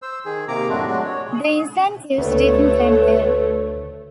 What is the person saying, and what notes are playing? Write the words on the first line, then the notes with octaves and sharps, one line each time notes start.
The incentives didn't end there.
C5 E6
D#3 G#4
C3 D#3 A#3 A#5 D6
F#2 A2 A3 C4 D4 F#4
F#3 G#3 D4 F#4
C#5
D2 D3 A3 F#4 B4 C#5